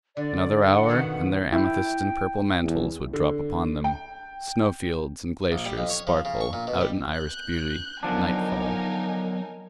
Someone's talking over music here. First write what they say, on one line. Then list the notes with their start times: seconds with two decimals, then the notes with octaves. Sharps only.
Another hour, and their amethyst-and-purple mantles would drop upon them; snowfields and glaciers sparkle out in irised beauty; nightfall.
0.17 D3 D5
0.68 F#5
0.89 F2 B2 D#3
1.52 E4 G5
2.64 E2
3.13 D3
3.84 G5
5.52 A#1
5.65 G3
5.78 F2
5.90 C#5
6.07 F3
6.25 C#3
6.41 C#6
6.53 A#2
6.67 B2
6.81 G3
7.12 F#6 G6
8.03 D3 F3 F#3 B3 D4 D#4 A#4 G#5